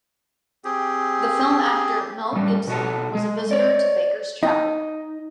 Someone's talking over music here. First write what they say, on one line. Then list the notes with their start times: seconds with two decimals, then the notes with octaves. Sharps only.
The film actor Mel Gibson was a visitor to Baker's chapel.
0.65 C4 G4 G#4
2.33 A2 G3
2.68 B2 F#4 A4
3.15 G#3
3.51 C#5 D5
4.43 D#4